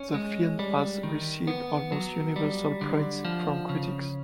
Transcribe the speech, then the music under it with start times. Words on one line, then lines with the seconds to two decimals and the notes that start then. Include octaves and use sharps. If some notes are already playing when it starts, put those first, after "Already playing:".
The film has received almost universal praise from critics.
Already playing: C#4
0.14 G#3
0.59 G3
1.03 D#3
1.47 B3
1.92 F#3
2.36 G3
2.81 D3
3.25 F3
3.69 C#3